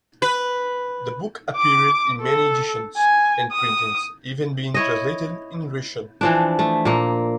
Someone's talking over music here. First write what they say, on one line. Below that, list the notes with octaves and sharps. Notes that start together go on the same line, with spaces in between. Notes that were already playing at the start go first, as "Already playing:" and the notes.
The book appeared in many editions and printings, even being translated in Russian.
B4
D6
A4
G#5
D#6
E4 C#5 D#5
E3 F3 D4
A3
A#2 A#3